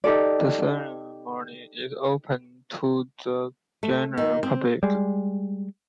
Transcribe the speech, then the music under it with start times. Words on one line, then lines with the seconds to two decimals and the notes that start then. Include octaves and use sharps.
The ceremony is open to the general public.
0.04 D#4 G4 A4 D5
3.83 A3
4.18 D#3
4.43 C4
4.83 G3 G#3